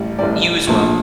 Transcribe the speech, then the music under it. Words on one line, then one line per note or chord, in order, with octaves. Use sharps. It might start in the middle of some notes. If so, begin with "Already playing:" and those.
You as well.
Already playing: A1 A2 G3
A1 A2 G3 D5
A#1 A#2 A3